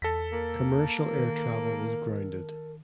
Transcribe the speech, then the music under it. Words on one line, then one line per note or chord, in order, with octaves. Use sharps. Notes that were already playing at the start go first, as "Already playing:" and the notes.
Commercial air travel was grounded.
E2 A4 A#6 B6
A#3 A#4
D#3